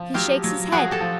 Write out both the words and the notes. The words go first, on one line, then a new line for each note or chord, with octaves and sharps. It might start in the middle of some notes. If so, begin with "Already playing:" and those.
'He shakes his head!
Already playing: F3
F#3 F4 G4
F#3
F3 F#4 G#4
G4 A4
F3